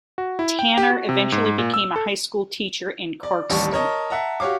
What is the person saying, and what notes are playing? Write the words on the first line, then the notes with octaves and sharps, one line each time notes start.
Tanner eventually became a high school teacher in Cardston.
F#4
E4
G5
G4
F#4
C3
G#2
G#2
A#2
E6
A4
D5
A1 D#2 G3 A5 C#6
A#4 C#5 D#5 A5
E5 F#5 A5 A#5
F#4 G4 C#5 F5 D6